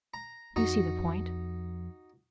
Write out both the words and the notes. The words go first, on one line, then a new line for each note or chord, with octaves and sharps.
You see the point.
A#5
F2 D#4 F#4 A#5